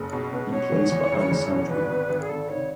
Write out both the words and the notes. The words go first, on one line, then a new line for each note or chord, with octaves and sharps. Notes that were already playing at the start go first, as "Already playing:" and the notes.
He plays for Alessandria.
Already playing: F#1
B2
B2 B4
B4
B2 C#5
E2
E2
F#1
E2
B2
G#1 B4
G#1
G#1
G#4
G#1 A4
D#3 C#5